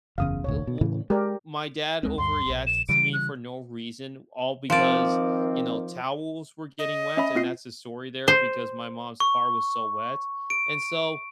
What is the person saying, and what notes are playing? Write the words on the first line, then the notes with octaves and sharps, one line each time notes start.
eh w w my dad overreacted to me for no reason, all because, you know, towels were getting wet. And that's the story there because my mom's car was so wet. And so
F#1 E2 C#3 F5 D#6
E1 A1 D2 C#5
B2
A2 C#3 E3
G#3 G4 A#4 D5
D2 G#3 C4
D2 G2 C6
D#1 A#1
E7
C#3 E3 G3 D7
F#6
D#3 F3 C4 D5
D#5
C#4 E5 B5
C4 F4 C7
C5
C#6
D7